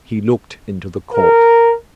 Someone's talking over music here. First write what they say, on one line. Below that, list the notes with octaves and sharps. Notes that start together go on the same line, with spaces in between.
He looked into the court.
A#4